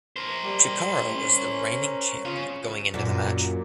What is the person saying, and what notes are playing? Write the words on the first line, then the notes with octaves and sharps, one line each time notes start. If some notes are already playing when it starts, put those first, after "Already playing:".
Chikara was the reigning champion going into the match.
A#4 C5
G3
C#4
C#3 C#4 F4
F#2 A#2